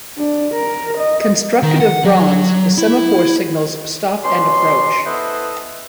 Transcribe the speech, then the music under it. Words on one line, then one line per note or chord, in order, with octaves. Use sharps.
Constructed of bronze, the semaphore signals stop and approach.
D4
A#4
D#5
D#3
F#5
F#3
E4
B2 C#4 D4 C6
B3 E4 A4 B4 C5 D#5